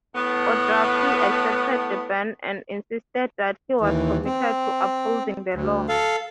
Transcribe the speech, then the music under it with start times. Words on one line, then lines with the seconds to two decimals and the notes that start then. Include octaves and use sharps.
O'Duffy accepted the ban and insisted that he was committed to upholding the law.
0.15 A2 B3
3.81 D#2 E3
4.25 C4
5.54 D2
5.89 A4 F5